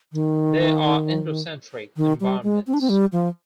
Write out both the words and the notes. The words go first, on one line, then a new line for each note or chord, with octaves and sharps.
They are endocentric environments.
D#3
D#3
G3
G#3
C4
D4
C4
G3
F3